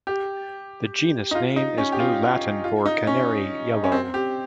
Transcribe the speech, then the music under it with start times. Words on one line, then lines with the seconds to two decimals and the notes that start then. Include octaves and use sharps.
The genus name is New Latin for "canary-yellow".
0.07 G4
1.31 D#4
1.35 F4
1.56 D#4
1.78 C#4
1.92 G4
1.99 F4
2.64 F4
2.86 D#4
3.07 C#4
3.84 C#4
3.92 C4
4.14 G4